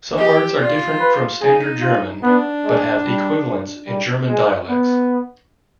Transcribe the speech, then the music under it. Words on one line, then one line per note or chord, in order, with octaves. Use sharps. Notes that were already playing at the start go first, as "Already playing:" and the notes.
Some words are different from Standard German but have equivalents in German dialects.
G4 D#5
F4 D5
B4
D#4 G#4
F4
B3 D4
G#3
G3
G3
G#3
B3